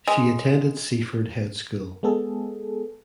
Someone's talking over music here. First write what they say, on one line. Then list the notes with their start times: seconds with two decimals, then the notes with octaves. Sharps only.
She attended Seaford Head School.
0.08 G#3
2.03 G#3 B3 G#4 A4